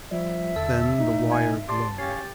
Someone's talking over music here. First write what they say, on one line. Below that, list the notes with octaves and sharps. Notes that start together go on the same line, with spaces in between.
Then the wire glowed.
F3 G3 E5
E2 D3 A5 E6
B2 A3 D#4
G#5
G4 D5 A5 C6
C#4 G4 C#5 F5 A6